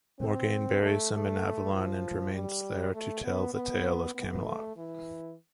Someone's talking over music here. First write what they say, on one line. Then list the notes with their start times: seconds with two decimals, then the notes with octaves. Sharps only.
Morgaine buries him in Avalon and remains there to tell the tale of Camelot.
0.20 C4
0.81 A3
1.12 A3
1.73 F3
2.34 G3
2.94 A3
3.24 B3
3.55 B3
4.15 B3
4.45 A3
4.77 E3